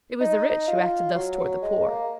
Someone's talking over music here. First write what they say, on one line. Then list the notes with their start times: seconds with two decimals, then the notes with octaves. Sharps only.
It was the rich who acted thus towards the poor.
0.20 D#4
0.68 F4
1.15 F#3
1.62 G#3
1.86 A#3